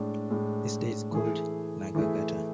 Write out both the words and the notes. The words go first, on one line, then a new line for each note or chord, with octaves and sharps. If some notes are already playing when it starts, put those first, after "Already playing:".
This day is called as "Nagagata".
Already playing: A2 G#3 D4
A2 G#3 D4
E3 A3 E4 G#4
E3 A3 E4 G#4